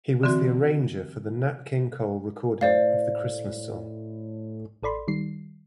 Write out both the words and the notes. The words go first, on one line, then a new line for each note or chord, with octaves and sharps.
He was the arranger for the Nat King Cole recording of The Christmas Song.
D3 E3 C4 F#4
A2 C5 D5 F5
A1 A4 D5 B5 C6
D#3 G3 C7